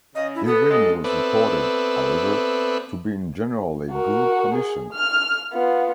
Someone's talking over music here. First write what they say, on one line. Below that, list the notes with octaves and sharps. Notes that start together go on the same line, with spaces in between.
Irwin was reported, however, to be in generally good condition.
C#3 D#5
E4
B3 A4
C#3 F#3 G#3
B3 C4 A4 B4 D5 E5
F#4 A#4
G#4
F6
B3 F4